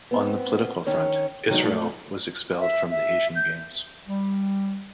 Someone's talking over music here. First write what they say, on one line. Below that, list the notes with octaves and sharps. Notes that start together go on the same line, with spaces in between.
On the political front, Israel was expelled from the Asian Games.
B3 C4
D#3 C#4 C#5
D#3 F#3 G#3 D#4
A#2 F3 A3
E5
E5
G6
G3